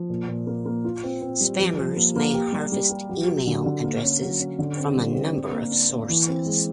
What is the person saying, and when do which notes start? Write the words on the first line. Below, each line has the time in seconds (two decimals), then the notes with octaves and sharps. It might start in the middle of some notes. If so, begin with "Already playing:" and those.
Spammers may harvest email addresses from a number of sources.
Already playing: F3
0.10 A#2
0.28 A#2
0.47 A#3
0.66 A#3
0.85 F4
1.04 C4
1.22 C4
1.41 G3
1.59 F3
1.79 F3
1.96 A#3
2.16 A#3
2.34 G4
2.52 G3
2.72 G3
2.90 G4
3.09 F#3
3.28 F#3
3.47 D3
3.66 D3
3.84 A#3
4.03 C#4
4.22 F#3
4.40 C#4
4.59 D3
4.77 C4
4.97 G3
5.14 C4
5.34 D4
5.52 A#3
5.71 D4
5.89 A#3
6.09 E3
6.28 C4
6.46 G#3